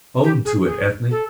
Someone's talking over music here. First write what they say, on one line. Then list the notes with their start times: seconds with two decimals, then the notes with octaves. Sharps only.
Own to it, Ethne!
0.23 G4
0.45 G#4
0.67 G#4
1.11 A4